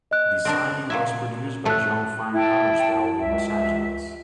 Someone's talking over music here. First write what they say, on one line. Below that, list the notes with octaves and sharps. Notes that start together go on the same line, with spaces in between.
Designing was produced by John Van Hamersveld in Los Angeles.
D#5 F#6
C4 D4 A#4
A#2 F#3 E5 G#6
A2 A3 A5 F#6
E4 G5 A5
C#2 E5